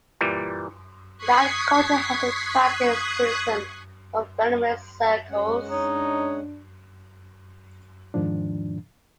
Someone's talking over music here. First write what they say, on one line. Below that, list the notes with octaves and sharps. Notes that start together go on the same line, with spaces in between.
Lad culture has attracted criticism from feminist circles.
A#2 E3 G3
C#6 D#6 F#6 G#6 B6 C7
G#3 C#4 F#5
D4 D#4 C#5
E2 G#2 D#3 F3 D4